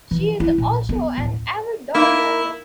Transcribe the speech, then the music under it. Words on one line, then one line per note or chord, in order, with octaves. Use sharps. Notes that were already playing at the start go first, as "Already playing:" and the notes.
She is also an avid dog lover.
E3
E4
A#1
B3
D1
A#3 D#4 E4 A#4